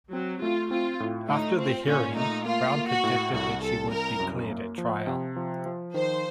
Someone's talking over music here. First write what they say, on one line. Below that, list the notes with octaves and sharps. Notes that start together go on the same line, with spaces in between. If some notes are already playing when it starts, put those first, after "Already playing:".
After the hearing, Brown predicted that she would be cleared at trial.
F#3 C4
A3 F4
C4 F4
A2
A3 D#4
C4 F4
A#2 C#4
A3 D#4
A#3 F4
A#3
F#4
A2
C2 F#4
C2 A4
C2 A#4
F#2
A#3
F3
C3
F3
F3
D#3 C5